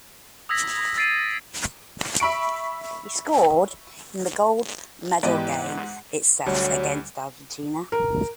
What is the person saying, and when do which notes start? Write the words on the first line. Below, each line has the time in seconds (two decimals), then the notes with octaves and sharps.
He scored in the Gold Medal game itself against Argentina.
0.49 D#6 E6 G#6 A#6 B6
0.97 E6 A6 C7 D7 D#7
2.20 E5 B5 C#6 D7
5.23 G#2 E3 B3 G4 D5 D#5
5.59 F#5
6.46 D2 F#3 G3
7.92 A#4